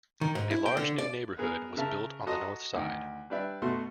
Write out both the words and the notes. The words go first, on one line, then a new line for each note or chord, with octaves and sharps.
A large new neighbourhood was built on the north side.
D#3
G#2
E4
G5
D3
D5
B3 G#4 A#4
C#3 A#4 E5 A5
F#4 A4 D#5 A#5 C6 D#6
D2 D#3
G3 D4 B4 D5 E5
B2 A3 F#4 C6